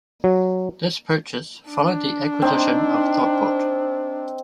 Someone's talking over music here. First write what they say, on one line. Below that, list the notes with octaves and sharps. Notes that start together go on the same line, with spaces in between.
This purchase followed the acquisition of Thottbot.
F#3
D4
C4 D#4